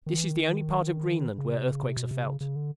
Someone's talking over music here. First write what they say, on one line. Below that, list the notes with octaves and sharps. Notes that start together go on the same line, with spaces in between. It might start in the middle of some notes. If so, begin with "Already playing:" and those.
This is the only part of Greenland where earthquakes are felt.
D#3
E3
D#3
C#3
C3
C#3
C3
B2
C3
C#3
C#3
D3